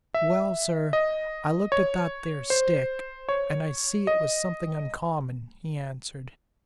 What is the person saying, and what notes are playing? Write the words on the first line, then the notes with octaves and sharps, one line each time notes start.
"Well, sir, I looked at that there stick and I see it was something uncommon," he answered.
E5
D#5
C#5
C5
C#5
D#5